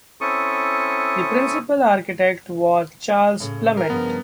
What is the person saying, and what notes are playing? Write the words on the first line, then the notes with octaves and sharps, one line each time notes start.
The principal architect was Charles Plumet.
C4 C#4 E4 A4 C#6 D#6
A2 C#3
A#4
G2 C#3 F3 B3